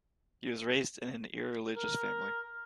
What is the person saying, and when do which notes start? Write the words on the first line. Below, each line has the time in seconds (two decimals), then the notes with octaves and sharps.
He was raised in an irreligious family.
1.76 A#4